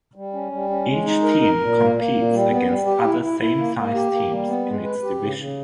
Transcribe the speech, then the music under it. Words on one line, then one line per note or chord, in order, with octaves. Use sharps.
Each team competes against other same-sized teams in its division.
G3
C#4
G3
C#4
G#3
D#4
A#4
A#4
A#2
A#3
A#3
A#2
G3
B3
G3
G4
E4
E4
E4
A#3
A#3
G4
A#3
G3
B3
G#3
B4
G4
C#3
C#3